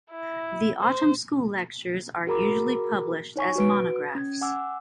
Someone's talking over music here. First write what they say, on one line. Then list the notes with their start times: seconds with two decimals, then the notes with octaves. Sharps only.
The Autumn School lectures are usually published as monographs.
0.11 E4
0.81 C5
2.27 F#4 G#4 A#4 A#5 B5 D6
3.36 D#4 C#5 G#5 C#6
3.56 F#4 B4 D7
4.15 C#4 G#6
4.41 F#5 G#5 D6 E6